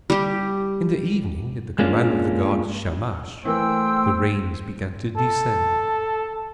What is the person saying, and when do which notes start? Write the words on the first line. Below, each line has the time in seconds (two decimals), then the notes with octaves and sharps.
In the evening at the command of the god Shamash the rains began to descend.
0.10 G3 G4
1.79 G#3 A#3 C#4 D4 F4
3.45 E3 A3 A#3 C5 G5 E6
5.17 A4